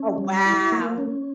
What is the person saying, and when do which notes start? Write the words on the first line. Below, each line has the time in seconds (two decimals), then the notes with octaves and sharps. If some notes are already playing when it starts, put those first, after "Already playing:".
Oh wow,
Already playing: C#4
0.18 G3
0.45 E4
0.72 A#3
0.98 C#4